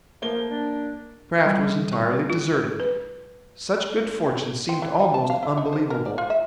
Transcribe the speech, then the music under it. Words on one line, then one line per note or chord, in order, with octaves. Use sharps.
The craft was entirely deserted. Such good fortune seemed almost unbelievable.
F3 A#3 G7
D4
G3
C#6
F4
B4
C4
E3
D#4
A5
F5
E4
D#4
C5
A#4
D5
F4
E5